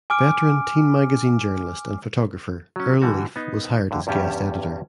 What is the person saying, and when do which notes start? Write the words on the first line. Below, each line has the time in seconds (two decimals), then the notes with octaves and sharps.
Veteran teen magazine journalist and photographer Earl Leaf was hired as guest editor.
0.10 G#5 D6 F6 D7
2.76 F#3 C#4
3.02 D3 E3 G3 F#4
3.36 B3 D#4
3.91 G2 D3
4.07 E2 G2 G3 C#4 G4 E5